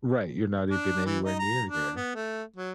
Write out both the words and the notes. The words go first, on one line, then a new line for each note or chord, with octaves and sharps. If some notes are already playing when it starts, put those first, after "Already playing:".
Right. You're not even anywhere near there.
D4
E3
D#4
A#5
D4
B3
A3
F#3